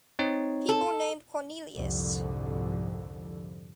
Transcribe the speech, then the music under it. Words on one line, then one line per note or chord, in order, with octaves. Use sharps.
People named Cornelius.
C4 D#4 C#5
A4
C2 F2 G#2 D3